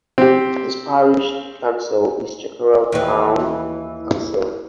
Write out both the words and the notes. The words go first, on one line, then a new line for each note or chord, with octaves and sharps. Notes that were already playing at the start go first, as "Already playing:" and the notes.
Its parish council is Chickerell Town Council.
C4 G4
D#2 E3